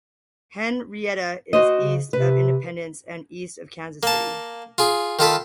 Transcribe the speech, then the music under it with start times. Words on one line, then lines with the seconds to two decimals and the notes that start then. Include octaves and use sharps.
Henrietta is east of Independence and east of Kansas City.
1.53 F#4 C5 D#5
1.81 C#3
2.13 C3 B4
4.03 A#3 A5
4.78 F4 G#4
5.19 D#3 F4 A4 B5